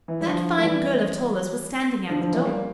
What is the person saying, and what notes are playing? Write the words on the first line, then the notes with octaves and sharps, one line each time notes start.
That fine girl of Toller's was standing at the door.
E3
G3
D3 F3
A3
E3 G3
D3 F3
D3 F3
E3 G3
G3 A#3